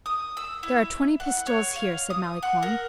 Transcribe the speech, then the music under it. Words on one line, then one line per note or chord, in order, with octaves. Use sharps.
"There are twenty pistoles here," said Malicorne.
D#6
E6
E4
F#5
C#5
F5
D#6
F#5
A#4